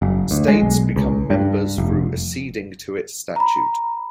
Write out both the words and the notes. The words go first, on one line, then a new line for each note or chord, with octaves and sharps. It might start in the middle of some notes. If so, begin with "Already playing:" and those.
States become members through acceding to its statute.
F#1
D2
G#3
B1
C#2
G2
F1
A#5 B5